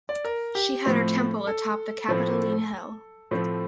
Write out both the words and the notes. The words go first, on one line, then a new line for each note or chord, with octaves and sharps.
She had her temple atop the Capitoline Hill.
D5
A#4
G4
A2 F3 A3 C4 A4
A4
A2 F3 A3 C4
A2 F3 A3 C4